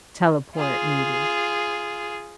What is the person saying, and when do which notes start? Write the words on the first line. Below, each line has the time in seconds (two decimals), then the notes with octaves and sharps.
teleport, maybe.
0.56 F4 G#4